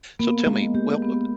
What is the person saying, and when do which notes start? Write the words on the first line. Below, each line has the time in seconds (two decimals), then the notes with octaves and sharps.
So, tell me well, oh
0.19 A#3 B3
0.47 G#3 B3
0.74 A#3 G4
1.02 B3